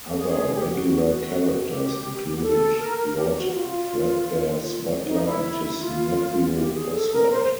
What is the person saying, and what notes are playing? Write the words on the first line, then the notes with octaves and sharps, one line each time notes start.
Other regular characters included Lord Threadbare's butler and his nephew Oswald.
G#4
G4
F#4
F#4
G4
A4
A#4
A#4
G4
G4
F#4
F4
D#4
E4
F4
G4
G#4
A4
A#4
C5